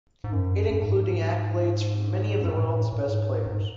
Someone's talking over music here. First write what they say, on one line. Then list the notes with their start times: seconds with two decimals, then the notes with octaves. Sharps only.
It including accolades from many of the world's best players.
0.24 G#2
0.33 F#2
0.70 F#2
0.77 G#2
2.41 F#2
2.49 G#2
2.57 A2
2.92 A2
3.01 G#2
3.46 G#2